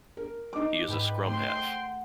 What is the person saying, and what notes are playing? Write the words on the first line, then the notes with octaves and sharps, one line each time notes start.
He is a scrum half.
A#4
D#4 D6
G#2 B4 G5
A3 C5 G5 C6
F#5